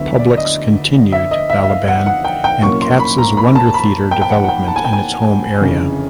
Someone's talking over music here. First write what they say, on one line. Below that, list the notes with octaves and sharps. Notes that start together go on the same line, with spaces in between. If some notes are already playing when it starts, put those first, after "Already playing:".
Publix continued Balaban and Katz's wonder theater development in its home area.
Already playing: D2 D3 F#3 B3 E4 E5
D5
D#5
E5
D#5
E5
E5
F5
F#5
F#5
G5
G5
C2 A#2 F#3 A#3 C#4 C#6
C6
B5
A#5
B5
A5
B5
G5
G5
F#5
F#5
G5
A5
G#5
G5
G#5
G1 F2 C#3 E3